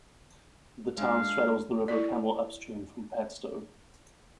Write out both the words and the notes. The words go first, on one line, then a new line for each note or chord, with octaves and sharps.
The town straddles the River Camel upstream from Padstow.
G#3 D4 F5
E4 D5